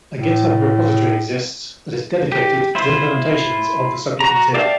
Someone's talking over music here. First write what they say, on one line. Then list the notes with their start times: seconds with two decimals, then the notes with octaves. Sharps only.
A Github repository exists that is dedicated to implementations of the subject material.
0.18 A2
2.32 G4
2.75 E4 F4 C5 E5
4.20 F#4 A#5
4.54 D5 E5 F5 G5 A5